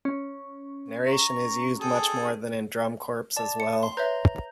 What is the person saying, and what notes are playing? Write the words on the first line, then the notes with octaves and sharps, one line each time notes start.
Narration is used much more than in Drum Corps as well.
C#4
A#5 C#6
G#4 A4 G5
D5 A5
C#7
C6
B4 C#5 E5 A#5 G6